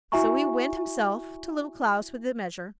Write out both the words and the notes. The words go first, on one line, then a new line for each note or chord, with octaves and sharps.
So he went himself to Little Klaus with the measure.
E4 F#4 E5 G#5 A#5 C#6